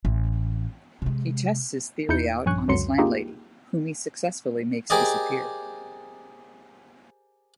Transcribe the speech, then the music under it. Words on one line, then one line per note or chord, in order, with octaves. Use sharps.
He tests his theory out on his landlady, whom he successfully makes disappear.
A1
C3 G#3
E2 D#4 E4 G6 C#7
A#1 G2 C#4 G#5 C#6 F#6
C#2 F#2 D3 F#3 C6 C#7
A#3 D#4 F4 G4 G#4
G4 G#4 A#4 C5 D5 D#5